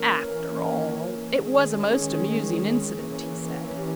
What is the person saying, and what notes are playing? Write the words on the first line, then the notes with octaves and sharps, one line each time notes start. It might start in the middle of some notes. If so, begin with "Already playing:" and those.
"After all, it was a most amusing incident," he said.
Already playing: E3 A#3 C#4 A#4
D#3 G#3 C#4 G#4
E3 A#3 C#4
G4